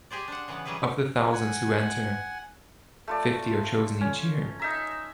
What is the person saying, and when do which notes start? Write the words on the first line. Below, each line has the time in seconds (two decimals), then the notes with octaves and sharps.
Of the thousands who enter, fifty are chosen each year.
0.11 G4 G#4 C5 D5
0.28 D4 C5 F#5
0.48 C#3 E3 B3 F#5
0.65 E3 F#3 G3 G#4 B4
1.33 F#5 G#5
3.08 A3 F4 D5
4.01 C#4
4.59 D#4 E5 A#5